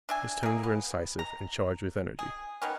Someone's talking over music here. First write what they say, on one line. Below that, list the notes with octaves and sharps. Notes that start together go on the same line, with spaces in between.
His tones were incisive and charged with energy.
D4 E5 G#5
A#3 G#4
B3
A#5
G#4
D#3 B3 C#4